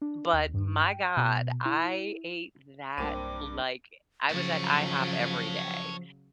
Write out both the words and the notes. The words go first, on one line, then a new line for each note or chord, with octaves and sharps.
but my god, I ate that, like I was at IHOP every day,
D4
D#2
G2
G5
B2
E4
B1 G2 A#3 C4 D6 D#7
C#3 F3 F#3 C#5 A5